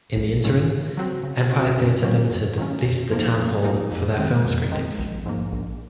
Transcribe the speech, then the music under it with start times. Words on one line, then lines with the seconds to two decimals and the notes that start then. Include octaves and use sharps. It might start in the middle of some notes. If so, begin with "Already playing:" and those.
In the interim, Empire Theatre Limited leased the Town Hall for their film screenings.
0.16 A#1
0.44 G#2 F#3 C#4 F4
0.70 C#3
0.97 F#3 C4 F#4
1.24 C#3
1.50 F#3 C4 F#4
1.77 F#2
2.04 D#3 F#3 A#3 C#4
2.30 F#2
2.58 D#3 F#3 A#3 C#4
2.84 F#2
3.11 F3 A#3 D#4
3.38 F#2
3.64 F3 A#3 D#4
3.92 F2
4.18 D#3 G#3 C4
4.45 F2
4.72 D#3 G#3 C4
4.99 A#1
5.26 G#2 F3 A#3
5.52 A#1